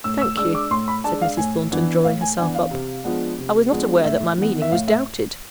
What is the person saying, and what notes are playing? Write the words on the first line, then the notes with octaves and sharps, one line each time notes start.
'Thank you,' said Mrs. Thornton, drawing herself up; 'I was not aware that my meaning was doubted.
A2 E6
E6
G#3 D4 E6
D6
A2 C6
B5
G#3 D4 A5
F5
A2 G#5
E3 B3 D4
A2 F5
G#5
E3 B3 D4 G#5
F5
C3
F3 G#3 B3 D4
C3
F3 G#3 B3 D4
A2 E5
E3 B3
E5
A2 F5
E5